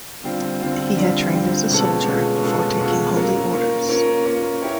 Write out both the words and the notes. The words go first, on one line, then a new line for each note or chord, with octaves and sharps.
He had trained as a soldier before taking holy orders.
D3 G3 C4 F4
D3 G3 C4 F4
D3 G3 C4 F4
D3 G3 C4 F4
B2 G#3 C#4 F4 A4
B2 G#3 C#4 F4 A4
B2 G#3 C#4 F4 A4
B2 G#3 C#4 F4 A4
A#3 C#4 F4 A#4
A#3 C#4 F4 A#4
A#3 C#4 F4 A#4
A#3 C#4 F4 A#4
E4 G4 A#4 C#5